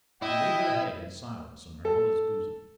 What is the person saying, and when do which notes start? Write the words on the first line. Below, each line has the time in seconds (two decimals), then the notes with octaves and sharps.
She laid her head in silence on her mother's bosom.
0.22 E4 D#5 G5
1.85 A4